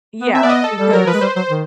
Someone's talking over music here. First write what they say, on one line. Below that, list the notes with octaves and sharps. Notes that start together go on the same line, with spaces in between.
Yeah, because
B3
C4 E5
B3 D5
D#5
A4
G3 A4
F#3 A#4
F3 B4
G#3
G3 C5
F#3 C5
D#3